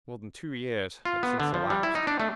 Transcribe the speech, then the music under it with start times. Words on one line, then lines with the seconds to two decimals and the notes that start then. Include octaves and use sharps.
More than two years had since elapsed.
1.05 F4
1.23 B3
1.40 D3
1.54 F3
1.70 G3
1.83 E4
1.95 D#4
2.07 D4
2.20 A3